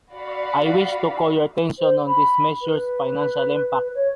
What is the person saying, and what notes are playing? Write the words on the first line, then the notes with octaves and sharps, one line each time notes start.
I wish to call your attention on this measure’s financial impact.
F#4 D5 F5 F#5 B5
C5
B5
B4
C#5